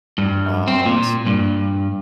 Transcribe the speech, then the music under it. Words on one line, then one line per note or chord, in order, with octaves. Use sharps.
Oh, I see.
G2
C4
A#2
G2